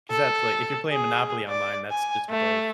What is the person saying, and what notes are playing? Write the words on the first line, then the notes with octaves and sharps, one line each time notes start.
'Cause that's like, if you're playing Monopoly online, that's just both.
A4
G#4
D5
G#5
A3